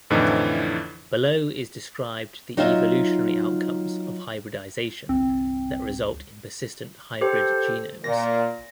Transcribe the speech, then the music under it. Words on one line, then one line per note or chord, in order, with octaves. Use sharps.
Below is described the evolutionary outcomes of hybridisation that result in persistent hybrid genomes.
F2 A2 D3 E3 F3 D#4
F#3 D#4 F4 D#5 E5
G1 C2 C4
G4 A4 C5
A#2 A#6